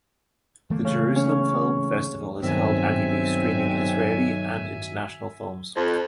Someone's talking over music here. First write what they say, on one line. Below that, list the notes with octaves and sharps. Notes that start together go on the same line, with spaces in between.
The Jerusalem Film Festival is held annually, screening Israeli and international films.
E3 A3 A#3
C#3
C#4
B1 G2 D#3 C4 E5 G#5
F2